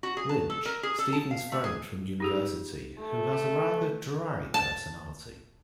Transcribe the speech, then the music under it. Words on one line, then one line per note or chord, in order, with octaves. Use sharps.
Lynch - Stephen's friend from university who has a rather dry personality.
F#4
G#4
A5
A4
A#4
G#4
A4
A5
F5
A3
G#4
D#4 G4 G#4
A3
A5